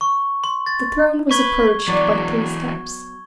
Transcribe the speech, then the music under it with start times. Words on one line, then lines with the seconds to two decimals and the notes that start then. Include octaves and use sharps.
The throne was approached by three steps.
0.01 C#6
0.44 C6
0.66 A6
1.31 B4 C#6 G#6 G7
1.88 E3 F#3 G#3 B3 D5